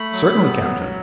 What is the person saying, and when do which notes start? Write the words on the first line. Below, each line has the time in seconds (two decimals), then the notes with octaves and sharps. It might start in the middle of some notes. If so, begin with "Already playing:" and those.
"Certainly, captain."
Already playing: A3 B5
0.12 F#3
0.39 B3
0.65 F#3